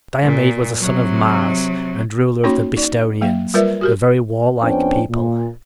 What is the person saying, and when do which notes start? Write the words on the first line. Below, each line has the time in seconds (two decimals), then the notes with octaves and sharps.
Diomede was a son of Mars and ruler of the Bistonians, a very warlike people.
0.23 A#2
0.81 C3 F#3
2.44 A#3 C#4 D#4 F#4 C#5 C6
2.77 D#4 D5
3.21 F#3 A#3 F5
3.54 G3 F4 A#4 B4 D5 E5
3.81 F#4 G4 A#4
4.62 F2 B3 C#4 D4 C5 G5
5.10 A#2